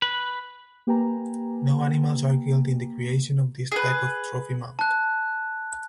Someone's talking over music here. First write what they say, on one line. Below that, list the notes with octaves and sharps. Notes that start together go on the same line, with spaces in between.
No animals are killed in the creation of this type of trophy mount.
B4
A#3 G4 B4 G5 G#5 A#5
G#4 B4
A5 F#6